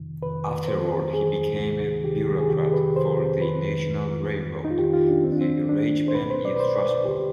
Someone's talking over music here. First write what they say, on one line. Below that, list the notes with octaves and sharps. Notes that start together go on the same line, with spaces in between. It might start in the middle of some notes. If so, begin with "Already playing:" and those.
Afterwards, he became a bureaucrat for the national railroad, the Reichsbahn, in Strasbourg.
Already playing: F2 C3 D#3
F2 C3 D#3 B4
F2 D#3 C5
F2 D#3 G#4
D2 C3 D#3
D2 C3 D#3 G4
G#4
F2 C3 D#3 G4
G#4
B4
F2 C3 D#3 C5
F2 D#3 B4
F2 D#3
F2 D#3
D#4
F4
F2 D#3 G4
F4
D4
D#2 D#3 C4
D4
C4
D#2 D#3 D4
C5
C2 B2 B4
C5
D5
B4
C2 B2 C5
D5
D#2 D3 G4